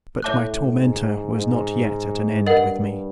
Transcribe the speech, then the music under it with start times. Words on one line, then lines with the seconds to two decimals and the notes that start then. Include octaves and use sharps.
But my tormentor was not yet at an end with me.
0.22 A2 C#5 E5 A5 D6 F#6
0.79 G#2
1.34 G#2
2.46 G2 A#4 D#5 F#5